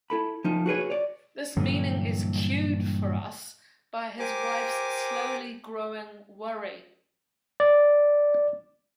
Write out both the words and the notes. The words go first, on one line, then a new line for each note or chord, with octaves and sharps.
This meaning is cued for us by his wife's slowly growing worry.
E4 A4 B5
F3 D#4 F4
F#4 G#4 B4 C#5
C#5 D5
G2 A#2 D3 E3 F#3 G3
G4 A#4 C5 G#5 D6
D5